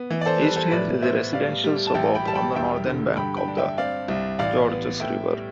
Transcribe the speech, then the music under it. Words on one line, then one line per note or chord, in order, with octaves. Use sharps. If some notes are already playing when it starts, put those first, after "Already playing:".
East Hills is a residential suburb on the northern bank of the Georges River.
Already playing: B3
E3
D5
A4 C5
G3 B4
A4 C5
A2 B4 D5
B3 C5 E5
G3 D5 F5
G3
A5
A1 E5 G5
G5 B5
G3 A5
G5 B5
E1 E5 G5
D3
G2 G5 B5
G5 B5
D4
E5 G5
C4 D5 F5
C2
A1 D5 F5
B3
A2 E5 G5
G3